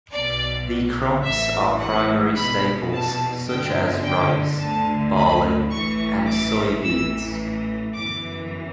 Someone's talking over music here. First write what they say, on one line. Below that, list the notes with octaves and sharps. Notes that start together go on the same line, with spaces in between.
The crops are primary staples such as rice, barley, and soybeans.
B1 B2 D5
A1 A2 E3 E5
F#5
E2 B2 B5
A5
G1 G2 D3 G5
G5
D2 D3 A5
B5
A1 A2 E3 C#6
D6
A1 A2 E3 E6
G1 F#2 E3 D6